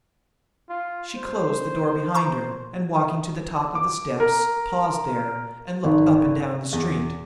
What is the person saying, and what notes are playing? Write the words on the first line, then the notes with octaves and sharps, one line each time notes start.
She closed the door behind her and, walking to the top of the steps, paused there and looked up and down the street.
F4
C5
A#5 C6 C#6
D6
A#4
G#1
E2